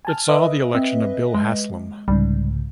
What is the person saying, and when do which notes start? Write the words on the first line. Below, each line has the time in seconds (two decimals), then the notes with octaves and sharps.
It saw the election of Bill Haslam.
0.05 G#5 A5 F6
0.28 B4 D#5 E5
0.75 C4
1.35 G#3
2.08 C2 G#2 C#3 G3